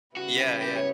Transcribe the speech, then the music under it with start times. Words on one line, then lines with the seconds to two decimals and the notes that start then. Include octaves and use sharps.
Yeah, yeah.
0.16 C#3 G3 B3 E4 F#4
0.40 G4
0.62 G4
0.77 C#5